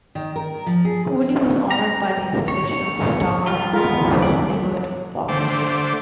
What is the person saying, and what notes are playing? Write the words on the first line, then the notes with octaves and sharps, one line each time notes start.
Cooley was honored by the installation of star on the Hollywood Walk of Fame.
D#3
A#4
F3
G#4
A#5
C#5
G3 F4
G#3 B3 F4 A#4
D5
D3 A3 C5 D6